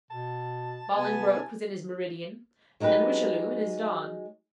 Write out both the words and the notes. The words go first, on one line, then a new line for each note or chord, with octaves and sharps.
Bolingbroke was in his meridian, and Richelieu in his dawn.
B2 A5
C3 B3 G#5
F#3 G#3 D#4 G4 B4